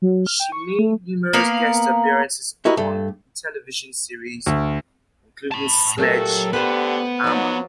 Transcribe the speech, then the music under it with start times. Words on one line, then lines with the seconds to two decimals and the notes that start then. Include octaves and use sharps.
She made numerous guest appearances on television series, including Sledge Hammer!
0.02 F#3
0.27 F6
0.40 G5
0.52 C#6
0.79 A3
1.33 A#3 B3 A#4 F5
2.65 E4 F#4 G4 A#4 D#5
2.77 G2 A3
4.46 D2
5.51 A5 B5
5.98 A#2 F#3 A3 G4 A4
6.53 D3 B3 G4 B4 C5
7.24 F3 F#3 D#4 D5